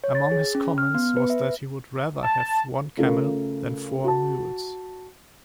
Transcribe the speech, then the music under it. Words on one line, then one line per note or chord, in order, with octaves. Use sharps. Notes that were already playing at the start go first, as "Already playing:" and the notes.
Among his comments was that he would rather have one camel than four mules.
C#5
A6
G#4
C#4
F6
B3
B4
E5
A5
C#3 A3 F4 A4 A#4
F#4 A5